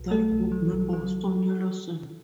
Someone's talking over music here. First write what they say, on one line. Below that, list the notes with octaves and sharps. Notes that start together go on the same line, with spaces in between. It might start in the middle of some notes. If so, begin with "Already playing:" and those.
That group member was Sonya Larson.
Already playing: B1
A3 A4
B1
F#3
B1
F#3